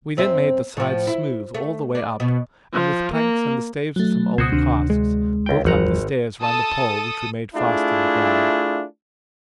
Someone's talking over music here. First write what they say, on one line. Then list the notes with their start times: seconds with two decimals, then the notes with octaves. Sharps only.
We then made the sides smooth all the way up, and with planks and the staves of some old casks, built up the stairs round a pole which we made fast in the ground.
0.17 F#2 C4 E5
0.77 A2 F3
1.07 E4
1.54 A3
1.95 D4
2.20 B2
2.73 F3
3.13 A#3
3.96 F#3 A3
4.38 C#2 B2 F#4 C5 D#6 G#6
4.52 D2 C3 D#3 D4
4.90 G#3
5.46 C#2 G5
5.65 G#1 E2 F3 G3 F#5 A#5
6.41 A4 A5 D#6
7.55 A3 D4 E4 F4 G#4